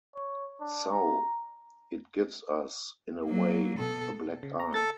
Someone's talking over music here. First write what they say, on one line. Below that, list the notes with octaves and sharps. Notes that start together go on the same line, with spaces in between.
So, it gives us, in a way, a black-eye.
C#5
D4
A#5
F#3 A#3
B2 A4
C#3
A#5
A4 A6